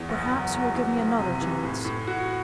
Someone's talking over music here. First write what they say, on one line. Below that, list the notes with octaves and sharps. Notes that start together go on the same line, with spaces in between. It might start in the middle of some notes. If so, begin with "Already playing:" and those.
"Perhaps you will give me another chance?"
Already playing: E2
F#1
F#3
F#3
E3
F#1
C3
E3
A2
A2
F#4